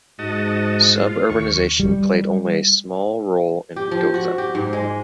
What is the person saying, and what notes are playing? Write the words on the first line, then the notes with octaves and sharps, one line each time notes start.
Suburbanization played only a small role in Gotha.
G#2 F#4 D#5 A5
F4
D#2 C#6
G3
G4
F3
F#4
G4
G#2
G#3